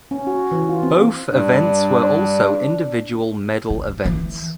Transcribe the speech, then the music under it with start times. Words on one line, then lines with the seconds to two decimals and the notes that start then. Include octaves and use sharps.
Both events were also individual medal events.
0.11 C#4
0.27 F#4
0.51 E3
0.69 F4
0.83 C4
1.32 G2 D4
3.70 C3
4.05 E3